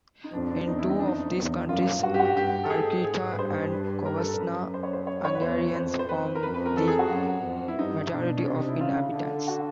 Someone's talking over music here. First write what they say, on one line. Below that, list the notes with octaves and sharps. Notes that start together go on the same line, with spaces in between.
In two of these counties, Harghita and Covasna, Hungarians form the majority of inhabitants.
D#4
F2 D4
D4
E2 D#4
E4
D#4
F2 D4
D#4
E2
F#2 F4
G2 F#4
G4
F#4
G4
G2 G4
A4
G#2 G#4
G#4
B4
G2 C5
B4
A#4
A4
A#4
F#2 B4
C5
C#5
C5
C#5
C#5
B4
E2 C5
F2 C5
C5
F2 B4
A#4
F2 B4
B4
A#4
A4
G#4
F#4
F#2
F2
E4
G2 D#4
B2 D4
C#4
C3 D4
D#4
E4
C#3 F4
D3
F#4